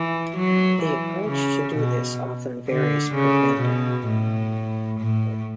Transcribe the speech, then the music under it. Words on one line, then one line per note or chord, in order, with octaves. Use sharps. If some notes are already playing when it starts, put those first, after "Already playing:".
The approach to do this often varies per vendor.
Already playing: E3
F#3
E3
C#3
B2
D3
C#3
B2
A2
A2